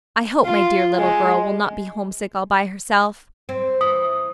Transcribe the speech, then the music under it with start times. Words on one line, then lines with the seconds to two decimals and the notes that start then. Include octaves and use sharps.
I hope my dear little girl will not be homesick all by herself.
0.45 F4
0.98 G#3
3.49 C4
3.81 E3 D#6